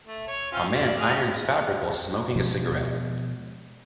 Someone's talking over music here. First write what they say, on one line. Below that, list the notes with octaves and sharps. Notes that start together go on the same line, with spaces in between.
A man irons fabric while smoking a cigarette.
A3
C#5
C4 C#4 F4
D5
G#3 C#4 F6
B2 F3 G#3